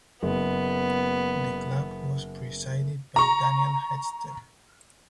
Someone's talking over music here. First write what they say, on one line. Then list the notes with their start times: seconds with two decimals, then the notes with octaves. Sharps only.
The club was presided by Daniel Hechter.
0.23 F#1 B3
3.16 A#5 C#6